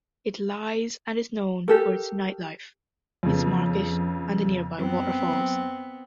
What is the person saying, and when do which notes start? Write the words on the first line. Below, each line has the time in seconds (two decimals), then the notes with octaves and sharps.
It lies and is known for its nightlife, its market and the nearby waterfalls.
1.68 G4 A4 A#4
3.23 F2 C#3 B3
4.78 F#2 B3 C4